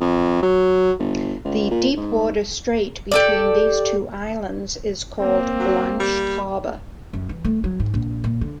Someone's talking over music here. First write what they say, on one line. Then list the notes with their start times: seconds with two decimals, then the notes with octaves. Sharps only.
The deep water strait between these two islands is called Blanche Harbor.
0.01 F2
0.42 F#3
0.99 G1
1.44 C#2
1.71 A#2
1.97 G#2
3.12 G4 A4 D5
5.19 A#3 C4
5.59 F#3
6.00 G3
7.13 F#2
7.29 E3
7.45 A3
7.64 F#3
7.80 G#2
7.94 A#1
8.24 A#2
8.41 D3